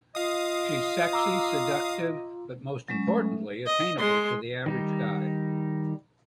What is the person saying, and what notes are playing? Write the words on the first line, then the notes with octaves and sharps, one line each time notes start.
She's sexy, seductive, but most importantly 'attainable' to the average guy.
F4 D#5 F5 D#6
A#5 D6 E6
F#3 G#3 C#4
A3
D#5
G#3 C6
D#3 G3 D#4